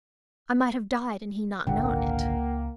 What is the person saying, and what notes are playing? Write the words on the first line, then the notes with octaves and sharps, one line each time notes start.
I might have died and he not known it!
G#1 C#2 A#2 D3 A#3 F#5 G5